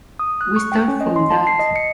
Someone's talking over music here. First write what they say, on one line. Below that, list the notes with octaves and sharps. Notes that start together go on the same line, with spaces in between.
We start from that.
D#6
F#6
C#6
G5
C#4
D#5
C6
A5
C7
D#5
C#7